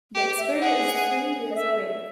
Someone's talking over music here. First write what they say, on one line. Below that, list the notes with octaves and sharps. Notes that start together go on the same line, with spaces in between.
The expiry is three years away.
G4
E5
G#4 F#5
D#5
E5